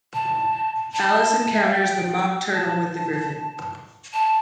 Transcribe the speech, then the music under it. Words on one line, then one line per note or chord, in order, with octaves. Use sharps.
Alice encounters the Mock Turtle with the Gryphon.
A5
A5
E5
F5
G5
G5
A5
A5